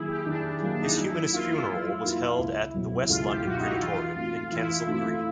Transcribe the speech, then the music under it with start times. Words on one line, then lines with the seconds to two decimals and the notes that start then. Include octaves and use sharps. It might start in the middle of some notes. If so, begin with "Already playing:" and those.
His Humanist funeral was held at the West London Crematorium, in Kensal Green.
Already playing: D#3 F#3 A#3 E4 G#4
0.08 G4
0.26 D#3 D4
0.44 D4
0.61 F#3 A#3 D4
0.75 D4
0.79 D#4
0.96 F#3 E4
1.15 E4
1.32 A#3 D#4 F4 F#4 A#4
1.49 E4
1.68 F#3
2.04 A#3 D#4 F#4 A#4
2.39 C#2
2.74 B2 F#3
3.09 C#2 F4
3.28 G4
3.45 B2 F#3 F#4
3.57 D#4
3.63 E4
3.80 E3 F4
4.16 A3 C4 D#4 F4 F#4
4.51 E3 E4
4.87 A3 C4 D#4 E4 F#4